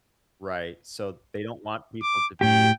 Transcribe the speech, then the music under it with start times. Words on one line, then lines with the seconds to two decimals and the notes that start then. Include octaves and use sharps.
Right. So, they don't want people to be
2.02 D6
2.41 A2 G4 G5